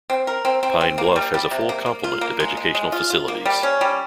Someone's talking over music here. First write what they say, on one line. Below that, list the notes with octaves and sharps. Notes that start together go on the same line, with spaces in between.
Pine Bluff has a full complement of educational facilities.
C4
A#4
C4
C4
C4
A#3
G3
G3
C3
A#3
A#3
F4
A#3
G#3
G#3
G#3
F4
F4
A#3
G3
C#4
G3